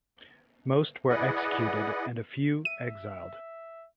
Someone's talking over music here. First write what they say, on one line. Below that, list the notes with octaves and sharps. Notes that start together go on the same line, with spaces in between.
Most were executed and a few exiled.
E4 G#4 B4 D5 D#5 F#5
E5 D#7